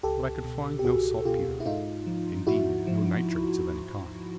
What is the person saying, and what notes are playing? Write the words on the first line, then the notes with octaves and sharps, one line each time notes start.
But I could find no saltpeter; indeed, no nitrates of any kind.
C#2 G4 A4
B2
G4
C#2 F#4 G#4
B2 F4 G4
E4
G#2 D#4 F4
F3
G#2 E4 F#4
F3